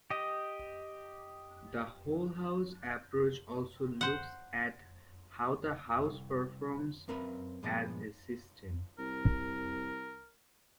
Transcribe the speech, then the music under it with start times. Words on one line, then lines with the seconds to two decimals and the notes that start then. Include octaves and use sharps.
The "Whole-House" approach also looks at how the house performs as a system.
0.10 G4 D#5
4.01 C5 F#5
6.05 C2
7.08 F#2 C4 A#4 B4 F5 B5
7.63 G2 A#2 F3 G#3 B3
8.99 C2 A#4